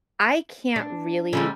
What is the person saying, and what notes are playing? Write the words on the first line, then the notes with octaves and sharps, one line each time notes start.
I can't really
D4
A#2 D3 G3 G#3 C#4